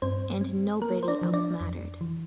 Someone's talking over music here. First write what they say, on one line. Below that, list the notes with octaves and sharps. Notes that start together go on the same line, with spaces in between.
And nobody else mattered.
G2 C4 C5
C4
A#3 A#4
C5
D4 D5
F3
D4 D5
F2
E3